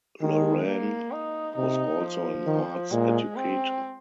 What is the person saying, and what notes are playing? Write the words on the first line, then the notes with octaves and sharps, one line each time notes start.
Loran was also an arts educator.
D#3 G#3
A#3
D#4
C3 D#4
F3
D#3
A#2 G#3
C4